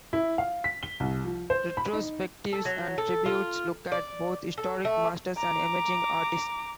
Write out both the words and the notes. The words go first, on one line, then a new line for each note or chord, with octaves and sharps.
Retrospectives and tributes look at both historic masters, and emerging artists.
E4
F5
B6
G7
C2
F3
C5
B5
D#4
A4
F#3
A4
F4
D5
A4
A3
A#5 D6